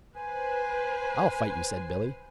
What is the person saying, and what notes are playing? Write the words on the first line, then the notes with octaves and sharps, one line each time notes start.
"I'll fight you," said Billy.
B4 C5 G#5